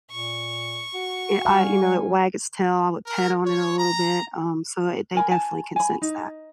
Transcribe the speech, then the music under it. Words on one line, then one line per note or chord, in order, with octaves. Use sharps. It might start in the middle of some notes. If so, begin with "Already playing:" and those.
it I you know, it wag its tail, I would pet on it a little bit, um, so they they definitely can sense that.
A#2 C#6
F#4
G3 F5 G#5
A#4
C#5
A#5
A#4 G#5 B5
G#5 A5
G#5 B5
D#4